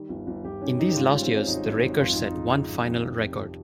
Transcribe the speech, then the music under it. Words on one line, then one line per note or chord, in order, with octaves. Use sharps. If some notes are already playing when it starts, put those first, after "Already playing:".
In these last years, the Rakers set one final record.
Already playing: D#3 G3
G1
G1
G1 G4
D#3 C#4
D#3 D#4
G4
G#2 F4
G3 C#4
C4
G#2 C#4
G#1 D#4
G#1
G#1
F2 F4
F2 D#4
D#4
C#3
C#3
F2
F2
D#3
C3
C3